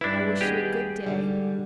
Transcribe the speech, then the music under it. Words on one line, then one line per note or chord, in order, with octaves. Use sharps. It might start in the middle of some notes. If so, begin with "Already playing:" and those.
"I wish you a good day."
G2 D4 E4 B4
D#2 B3 G4 G#4 D#5
G#2 D3 G3